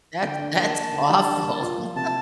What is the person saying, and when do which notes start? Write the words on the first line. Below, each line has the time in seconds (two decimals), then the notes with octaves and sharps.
That's that's awful.
0.22 D3 G5
0.40 D4
0.57 A#3 A5
0.74 A#3
0.92 D3
1.09 G3
1.27 D4
1.43 A#3
1.61 F4
1.78 F3
1.95 C3 A5